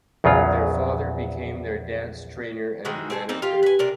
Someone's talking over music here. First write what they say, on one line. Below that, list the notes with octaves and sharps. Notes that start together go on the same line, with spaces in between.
Their father became their dance trainer and manager.
A#1 E2 C#3 F#3 F4
D#3 E3 G#3 F#4
C4 G#4 A4
A#3 C4 D#4
F4 G4 F5
B4 G#5
C3 A#3 D4